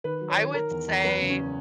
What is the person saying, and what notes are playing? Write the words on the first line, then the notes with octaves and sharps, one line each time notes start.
I would say,
D#3 B4
F#3
C#5
D#3
D#3 A#4
E2
E2
F#2 B4
C#3
C#4